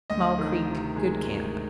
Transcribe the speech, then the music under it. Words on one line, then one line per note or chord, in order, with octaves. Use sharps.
Small Creek.--Good camp.
D2 D#5
D#3
C3
G#3
D2